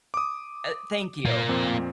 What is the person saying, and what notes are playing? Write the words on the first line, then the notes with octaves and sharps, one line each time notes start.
Uh, thank you.
D6 D#6
A#3 F4
F2 A#2 C4